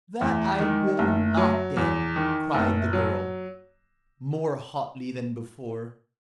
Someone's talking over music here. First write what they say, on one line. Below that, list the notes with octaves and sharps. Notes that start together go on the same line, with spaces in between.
"That I will not then," cried the girl, more hotly than before.
E2 A3
D#3 G#3
F#1 A3
F#3
E2
D#3
F#1 A3
F#3